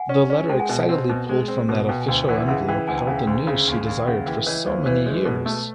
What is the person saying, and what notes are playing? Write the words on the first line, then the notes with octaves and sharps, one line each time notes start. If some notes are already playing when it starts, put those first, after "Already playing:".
The letter excitedly pulled from that official envelope held the news she desired for so many years.
Already playing: F#5 G#5
C#4
C#4
G#3 G5 A5
F#5 G#5
B2 D5 E5
D#5 F5
C4
B2
G#3
C4
B2
B2 F5 G5
G#5
D2 F5 G5
E3 E5 F#5
C#3 E5 F#5
E3 F5 G5
D2 F#5 G#5
G5 A5
C#3 F#5 G#5
F5 G5
D2
C#3
D#2
D#2
G5
C#3 E5 F#5
E3 F5 G5
E3 C#5 D#5
D#2 C5 D5
E3 B4 C#5
G#3 C#5 D#5
B2
A3